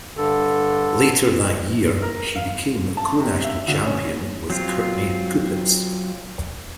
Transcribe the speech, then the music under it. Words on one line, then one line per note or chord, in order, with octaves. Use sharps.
Later that year, she became co-national champion with Courtney Kupets.
G2 D3 A4
A#4
F5
A5
C3
E5
D2
C#4
F#3 C4 F4